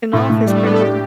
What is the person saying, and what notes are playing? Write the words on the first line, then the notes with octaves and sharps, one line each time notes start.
an office printer.
A2 A3
A2
G3 D4
A3
B3 D4
A4
D4 G4